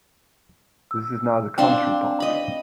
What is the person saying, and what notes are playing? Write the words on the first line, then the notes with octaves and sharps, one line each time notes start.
This is now the Country Park.
E6
C4 D4 F5 G5 C6
D#5 B5